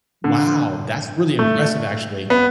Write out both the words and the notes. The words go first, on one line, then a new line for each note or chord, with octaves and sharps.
Wow, that's really impressive, actually.
D3
A3
B3